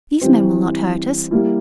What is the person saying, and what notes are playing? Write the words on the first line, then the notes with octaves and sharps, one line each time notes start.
These men will not hurt us.
E3 G3 C4
G3 A#3 E4